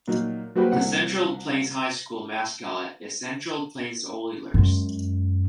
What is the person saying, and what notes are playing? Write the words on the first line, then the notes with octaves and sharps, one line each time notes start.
The Central Plains High School mascot is Central Plains Oilers.
A#2 F#3 A#3 D#4
F#3 A#3 F#4 G4 B4 C5
C2 F#5
F#2 G#3